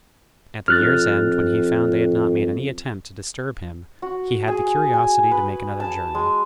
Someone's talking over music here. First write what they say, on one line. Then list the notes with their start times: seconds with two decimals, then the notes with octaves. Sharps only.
At the year's end, when he found they had not made any attempt to disturb him, he had the curiosity to make another journey.
0.68 F2 F6 F#6 A6
4.02 F#4
4.48 G#4
4.93 G#5
5.31 B4
5.80 A5
6.15 G#3